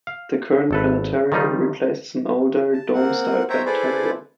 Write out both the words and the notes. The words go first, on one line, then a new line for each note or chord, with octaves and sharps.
The current planetarium replaces an older, dome-style planetarium.
F5
G#1 A4 B4
D#3 F3 G3 D#4 F4
A5
A#3 C4 F#5
C5 C#5 E5 G5 A#5
E4 G#4 A4 B4 C5 D5